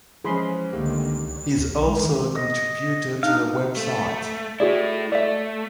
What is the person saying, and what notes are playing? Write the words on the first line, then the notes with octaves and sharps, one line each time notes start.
He is also a contributor to the website.
E3 F3 G#3 C#4 G#4 B5 C6
C#2 D3 D#3 A3 A#3 D#4 G4
D2
B1
G#3
D#3
D#5
D4 D#4 F5
A3
A3 E4 F#4 G#4 D5
A3 D5 E5